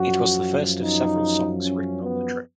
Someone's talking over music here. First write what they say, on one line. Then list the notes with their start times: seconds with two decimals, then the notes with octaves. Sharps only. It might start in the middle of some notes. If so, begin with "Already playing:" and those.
It was the first of several songs written on the trip.
Already playing: F#2 F3 F#4
0.81 D#4
1.61 C#4
2.02 B3